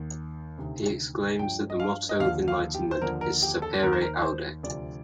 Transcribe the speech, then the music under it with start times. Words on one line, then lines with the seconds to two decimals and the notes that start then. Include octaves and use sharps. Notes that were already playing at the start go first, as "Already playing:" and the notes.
He exclaims that the motto of enlightenment is "Sapere aude"!
Already playing: D#2 D#3
0.58 D2 C3 D#3
1.39 G2 F3 G5
1.70 D#5
1.80 F5
2.09 D#5
2.20 D#2 D3 F3 F5
2.48 F5
2.74 G4
2.91 C5
3.02 D#2 D3 F3 A#4
3.21 A#4
3.42 G4
3.62 A4
3.82 D#2 D#3 A#4
3.93 C5
4.02 A#4
4.23 C5
4.63 D2 C3 F3 D5